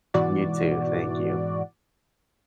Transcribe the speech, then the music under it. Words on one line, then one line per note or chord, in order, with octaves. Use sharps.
You too. Thank you.
G#2 B2 E3 F#4 D5